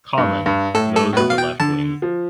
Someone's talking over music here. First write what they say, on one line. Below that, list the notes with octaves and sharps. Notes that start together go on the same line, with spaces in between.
Common, those of the left wing.
G2
G2
A2 A4
A4
A2
B2 B4
F5
G5
D3 A5
F3